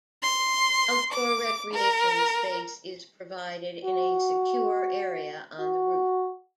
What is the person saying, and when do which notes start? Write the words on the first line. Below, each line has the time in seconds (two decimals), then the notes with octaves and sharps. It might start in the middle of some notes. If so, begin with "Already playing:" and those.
Outdoor recreation space is provided in a secure area on the roof.
0.23 C6
1.13 D6
1.73 A#4
3.85 F#4
5.59 F#4